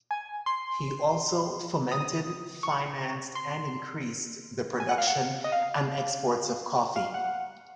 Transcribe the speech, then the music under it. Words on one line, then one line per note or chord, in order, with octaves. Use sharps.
He also fomented, financed and increased the production and exports of coffee.
G#5
C6
D#6
C#6
C6
G#5
F#5
F5
F#5
D#5
F5
F5
F#5